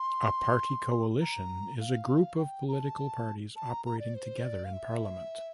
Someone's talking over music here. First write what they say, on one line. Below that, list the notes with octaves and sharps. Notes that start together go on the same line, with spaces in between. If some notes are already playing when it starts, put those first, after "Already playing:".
A party coalition is a group of political parties operating together in parliament.
Already playing: C6
A#5
F5
G5
A#5
A5
A5
A#5
A#5
D5
C5
D5
F5
E5